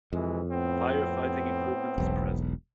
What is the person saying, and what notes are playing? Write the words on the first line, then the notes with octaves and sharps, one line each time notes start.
Fire fighting equipment is present.
F2 C3 E3 G#3
A2 B3 C4
E1 B1